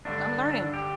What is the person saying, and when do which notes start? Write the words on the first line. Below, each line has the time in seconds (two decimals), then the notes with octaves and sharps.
I'm learning.
0.05 G1 G2 D3 D4
0.74 G4